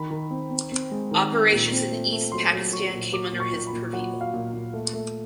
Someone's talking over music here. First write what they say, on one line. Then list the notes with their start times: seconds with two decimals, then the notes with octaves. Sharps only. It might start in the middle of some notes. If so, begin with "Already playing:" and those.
Operations in East Pakistan came under his purview.
Already playing: D#3 B5
0.11 D#3
0.31 C4
0.51 C4
0.72 C4
0.91 G#3
1.11 D#3
1.32 C4
1.52 A#2
1.72 C4
1.92 A3
2.12 A3
2.32 F#3 C6
2.53 F#3
2.72 F#3 C#6
2.93 A#2
3.12 F#3 D6
3.32 A#2
3.40 C#6
3.53 A#2
3.67 B5
3.73 A#2
3.93 F#3 F#5
4.14 F#3
4.21 F5
4.34 A#2
4.53 A#2
4.73 A3
4.93 A3